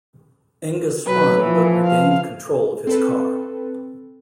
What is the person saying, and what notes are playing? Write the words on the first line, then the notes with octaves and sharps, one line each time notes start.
Enge spun but regained control of his car.
B2 F#3 B3 B4
E3 F3
F5
C4 A4 B4